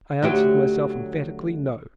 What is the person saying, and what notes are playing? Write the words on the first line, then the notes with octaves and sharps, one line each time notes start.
I answered myself emphatically, no.
D2 F#3 G4